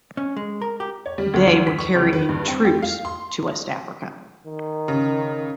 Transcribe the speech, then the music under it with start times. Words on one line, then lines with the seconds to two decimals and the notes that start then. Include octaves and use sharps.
They were carrying troops to West Africa.
0.17 C#4
0.37 G#3
0.62 A#4
0.80 G4
1.06 C#5
1.18 G3
1.34 D2
1.67 B6
1.79 C#6
1.95 C#2
2.13 B4
2.29 G2
2.48 C4
2.65 G4
2.82 F5
3.05 C6
4.47 D#3
4.88 C#3